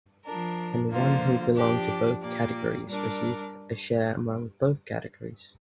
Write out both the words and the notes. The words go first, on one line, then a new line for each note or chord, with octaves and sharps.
And one who belonged to both categories received a share among both categories.
F3 D4 A#4
D3 F3 A#3 F4 C5
F3 D4 G4 D5
A#2 A#3 G4 D5
G3 D4 A#4 D5